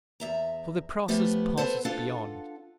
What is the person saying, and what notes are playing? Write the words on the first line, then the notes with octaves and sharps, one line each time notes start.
For the process passes beyond.
E2 E5 A#5
F3 A3 B3 G4
B3 A4 C5
D4 F4 A4 F5 F#5